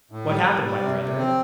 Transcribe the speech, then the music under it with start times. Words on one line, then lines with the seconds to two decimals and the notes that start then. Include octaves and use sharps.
What happened, my brethren?
0.11 A2
0.29 G3
0.47 G3
0.64 G3
0.82 C3
0.99 C3
1.18 C4